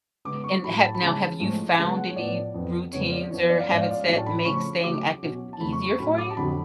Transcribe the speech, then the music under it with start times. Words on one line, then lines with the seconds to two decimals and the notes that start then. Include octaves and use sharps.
and have now, have you found any routines or habits that make staying active easier for you?
0.25 C#3 G#3 B3 D6
0.44 C#6
0.64 A2 F#3 A3 B5
0.82 A5
0.95 B5
1.01 C#3 G#3 C#4 A5
1.40 G#2 F3 A3 C#4
1.78 C#3 G#3 B3 A5
1.97 F#5
2.10 C#5
2.16 A2 F3 B3 D5
2.54 F2 F3 B3
2.93 F2 C#3 G#3 B3 C#5
3.12 D5
3.31 F#2 C#5
3.34 F3 B3
3.50 D5
3.60 F5
3.69 G#2 F3 G#3 C#4 D5
3.81 F5
3.91 D5
4.07 A2 F#3 A3 C#4 D5
4.18 A5
4.26 B5
4.39 B5
4.45 C#3 F3 A3 C#4 C#6
4.84 C#3 F#3 A3 C#4 D6
5.22 B2 F#3 C#4
5.53 A5
5.60 F2 C#3 F3 A3 B5
5.73 C#6
5.86 C#6
5.98 A2 F#3 A3 C#4 B5
6.18 D6
6.31 A5
6.37 F2 D3 F#3 B5